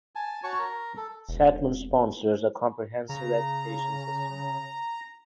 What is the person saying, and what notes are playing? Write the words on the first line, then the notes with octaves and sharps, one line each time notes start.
Satmar sponsors a comprehensive education system.
G#5 A5
F#4 C#5 A5 C#6
A#4 A#5
A4
E1
C#3 A#5